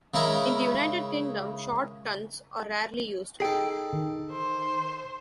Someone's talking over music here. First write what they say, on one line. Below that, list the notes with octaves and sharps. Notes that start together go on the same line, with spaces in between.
In the United Kingdom, short tons are rarely used.
C#3 G#3 E4 A#4
D#4 G#4 A4 G5
D#3
C5